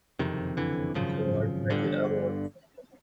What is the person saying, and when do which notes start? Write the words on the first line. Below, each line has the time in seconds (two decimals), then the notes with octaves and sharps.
Gold Medal Award.
0.19 F#1 F2 C3 D#3
0.57 D3 E3
0.94 G#1 F#2 C#3 F3
1.70 G1 G2 D3